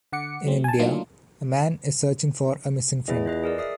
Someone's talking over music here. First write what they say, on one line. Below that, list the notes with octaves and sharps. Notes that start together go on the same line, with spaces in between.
In India, a man is searching for a missing friend.
D3 F#5 D6 C#7
F#3 A3 C4
G#5 A5
F#3 A3 A#3 D4 D#4 F4
E2 E4 D#5
F4 B4 D#5
G#4 A#4 D5
E5 D#6 C7